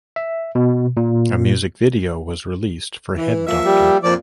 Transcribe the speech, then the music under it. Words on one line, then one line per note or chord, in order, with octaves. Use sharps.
A music video was released for Head Doctor.
E5
B2
A#2
E3
F3 A#3 E5
G3
F2 A#2 F3 D5